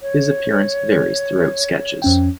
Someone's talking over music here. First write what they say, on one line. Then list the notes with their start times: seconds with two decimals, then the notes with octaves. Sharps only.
His appearance varies throughout sketches.
0.02 C#5
2.02 F2 C#4 G5